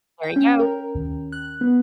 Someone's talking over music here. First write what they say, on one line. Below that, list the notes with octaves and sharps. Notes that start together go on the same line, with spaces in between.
There you go.
G5
C#4
A#4
D#2
F#6
B3